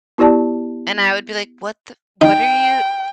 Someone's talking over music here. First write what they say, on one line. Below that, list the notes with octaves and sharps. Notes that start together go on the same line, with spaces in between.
And I would be like, "What the what are you
B3 E4 G4 D5 A5
D#4 G5